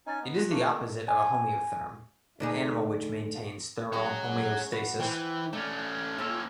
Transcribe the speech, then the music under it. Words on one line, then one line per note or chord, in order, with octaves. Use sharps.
It is the opposite of a homeotherm, an animal which maintains thermal homeostasis.
C#4 D#4 D#5 G#5 A#5 A6
B3
F4 G4 F#6
A3 A#3
D#5
G#5
D2 D#4 G#4
G#3 C#4 F#4 C#5 F#5
B3 F#4
E3 C5 F#5 G5
A3 C#4 D4
A#3 C#4 F4 A4